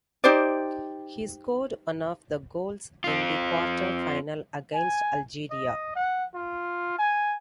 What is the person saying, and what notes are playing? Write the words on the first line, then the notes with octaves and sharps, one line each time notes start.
He scored one of the goals in the quarter final against Algeria.
D#4 G4 C5 D5
C4 F4
G#5
D#5
F#5
F4
G#5